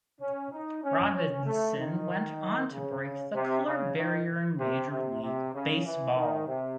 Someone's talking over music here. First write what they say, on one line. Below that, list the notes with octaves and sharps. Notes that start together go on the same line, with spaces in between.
Robinson went on to break the color barrier in Major League Baseball.
C#4
D#4
C#4
C#4
A3
D#3
C#3
C3
C#3
D#3
C3
C3
C3
C#3
E3
D#3
C3